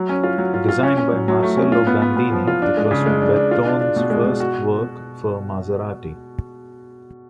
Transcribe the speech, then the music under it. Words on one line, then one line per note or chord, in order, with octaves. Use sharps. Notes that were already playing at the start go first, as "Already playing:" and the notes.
Designed by Marcello Gandini, it was Bertone's first work for Maserati.
Already playing: F#3
C#4
F4
F#3
F4
F4
C#4
C#4
F#3
F#3
A3
C#4
F4
B3
B3
B3
F3
F4
D4
G#3
C#3
G#3
D4
D4
F4
D4
D4
B2
G#3
B2
F#4